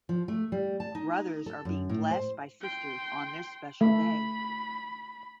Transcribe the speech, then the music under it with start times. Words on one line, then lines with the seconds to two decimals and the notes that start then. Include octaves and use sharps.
Brothers are being blessed by sisters on this special day.
0.09 F3
0.28 A3
0.52 G3
0.80 A5
0.95 D#4
1.46 A4
1.65 F#2
1.89 A2
2.11 C5
2.62 G5 C6
3.81 A3 B5